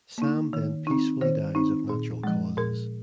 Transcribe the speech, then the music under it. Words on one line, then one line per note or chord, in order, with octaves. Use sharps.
Sam then peacefully dies of natural causes.
A#3 D#4
D#3
C4 D#4
D#3 C5
C4 D#4
A#2
F3 G#3
A#2 A#4